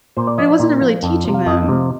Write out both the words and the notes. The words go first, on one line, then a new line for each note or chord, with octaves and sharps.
But it wasn't a really teaching them.
A#2 C5
D5
F3 D#5
D5
A#2
F3
F2
C3 F3
F5
F2 D#5
C3 F3